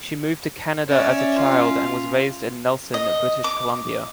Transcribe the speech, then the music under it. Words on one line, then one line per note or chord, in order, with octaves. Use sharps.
She moved to Canada as a child, and was raised in Nelson, British Columbia.
C#4 C#5 D5 E5
F4
D#5
D6